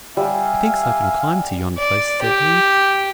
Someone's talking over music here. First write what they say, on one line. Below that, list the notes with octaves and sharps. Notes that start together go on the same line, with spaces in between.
"Methinks I can climb to yon place," said he.
G3 E5 F5 G#5
D5
G4